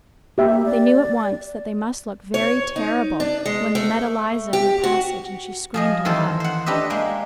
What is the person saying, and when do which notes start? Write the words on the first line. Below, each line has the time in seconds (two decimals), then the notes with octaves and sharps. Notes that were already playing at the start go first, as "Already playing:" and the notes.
They knew at once that they must look very terrible when they met Eliza in the passage, and she screamed aloud.
0.38 A#3 G4 E5
0.66 D5
2.34 C#5
2.76 D#4
3.20 D4
3.46 G#3
3.75 A3
4.53 G4
4.84 F#4
5.74 F3 G#4 D#5
6.05 D#3 E3 A4 C5
6.40 C5 F#5
6.66 D4 G4 B4 D#5 E5
6.90 G#3 A#3 G5